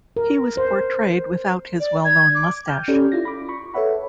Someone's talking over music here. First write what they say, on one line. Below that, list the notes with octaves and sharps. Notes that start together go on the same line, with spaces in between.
He was portrayed without his well-known mustache.
A#4
C5
D5
G#6
D6
G5 F6 G6
C#4 G4 A4 D5
E4 F4 A#6
B5 D6
B5 C#6
A4 B4 C#5 E5 F#5 B5